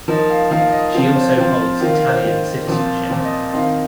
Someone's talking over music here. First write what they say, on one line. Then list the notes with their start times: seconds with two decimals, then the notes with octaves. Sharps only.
She also holds Italian citizenship.
0.08 F3 A#3 D#4 A#4
0.30 F5
0.51 F3 A#3 D#4 F5
0.72 D#5
0.94 F3 C4 F4 F5
1.16 C5
1.37 F3 C4 F4
1.80 D#3 A#3 F4 F5
1.94 F5
2.09 C5
2.23 D#3 A#3 F4
2.67 A#2 F3 C4 F4
3.10 A#2 F3 C4 F4 A#4
3.24 D#5
3.53 D#3 C4 D#4 F5